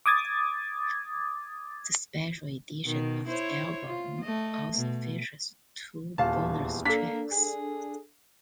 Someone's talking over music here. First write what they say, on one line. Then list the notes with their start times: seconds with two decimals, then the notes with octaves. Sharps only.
The special edition of the album also features two bonus tracks.
0.06 D6 D#6 G#6 A6
2.85 B2 D#3
3.28 E4 C5 C#5
3.85 F4
4.21 A3 D#5
4.74 B2
6.18 D#1 E2 F5 A5
6.85 A#3 D4 A4 B6
7.32 G#4